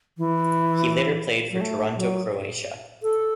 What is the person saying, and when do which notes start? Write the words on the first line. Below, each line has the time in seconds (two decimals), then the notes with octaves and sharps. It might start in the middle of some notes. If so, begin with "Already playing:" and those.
He later played for Toronto Croatia.
0.18 E3
1.51 F#3
1.61 A3
1.96 F#3
3.03 A4